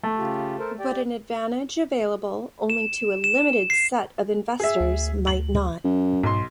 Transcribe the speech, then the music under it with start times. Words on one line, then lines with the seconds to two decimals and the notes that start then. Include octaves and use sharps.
But an advantage available only to a limited set of investors might not.
0.03 A3
0.19 C#3 F4 G4
0.59 A4 A#4 C5
0.80 G4 D5 G5
2.70 E7
3.24 E7
3.70 C7
4.60 G#4 E5
4.80 D2
5.27 F#7
5.84 F#2
6.23 B1 G#2 C6